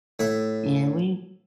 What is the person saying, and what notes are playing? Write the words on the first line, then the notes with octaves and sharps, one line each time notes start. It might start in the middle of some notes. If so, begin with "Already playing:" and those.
and we
A2 E5